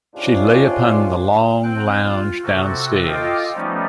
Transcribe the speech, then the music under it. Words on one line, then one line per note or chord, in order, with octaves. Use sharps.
She lay upon the long lounge down-stairs.
G#2 C3 C#4 D4 F4
C4 G5 F#6
F4
C3 F#4 A4
F4 A4 D#5 F5 G5 D6
F3 G3 A3 B3 C#4 D#4